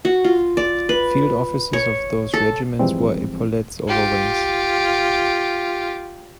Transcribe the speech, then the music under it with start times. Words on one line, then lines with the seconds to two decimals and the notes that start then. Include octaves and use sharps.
Field officers of those regiments wore epaulettes over wings.
0.05 F#4
0.24 F4
0.57 D5
0.89 B4
1.73 C#5
2.34 A4
2.79 G#2 E3 F3 G3 G#3 C4
3.88 F4 G4